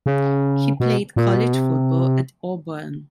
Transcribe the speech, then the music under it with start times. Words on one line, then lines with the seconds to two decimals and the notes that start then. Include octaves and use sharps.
He played college football at Auburn.
0.06 C#3
0.80 B2
1.16 A#2
1.36 B2
1.54 C3